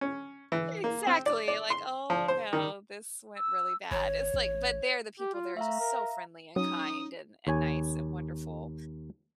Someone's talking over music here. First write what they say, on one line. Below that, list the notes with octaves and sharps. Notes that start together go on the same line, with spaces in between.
Exactly like, "Oh, no, this went really bad." It's, like, but they're the people they are just so friendly and kind and and nice and wonderful.
C#4
E3
A#3
C4
D5
D5
C6
F3
C5
D#3
E6
G#1 C#5
A1
G4
F4
A3 E5 F5 A#5
A#4
F#3 C#4 D#4 D#6
D#2 C#5 G#5